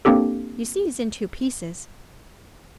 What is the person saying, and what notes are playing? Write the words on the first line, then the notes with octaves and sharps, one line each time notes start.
"You see he's in two pieces?"
A#3 C4 D4 G4 A4